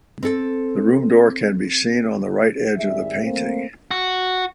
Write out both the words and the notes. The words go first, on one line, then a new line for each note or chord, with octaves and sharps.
The room door can be seen on the right edge of the painting.
C4 A4
G#1 G3 G#4 E5
A3 A#3 C4
F#4